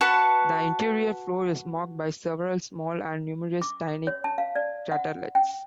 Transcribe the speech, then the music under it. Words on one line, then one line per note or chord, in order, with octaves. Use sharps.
The interior floor is marked by several small and numerous tiny craterlets.
F#4 B4 A5 C#6
D6
C#5
A5
F5
D5
F#5
G5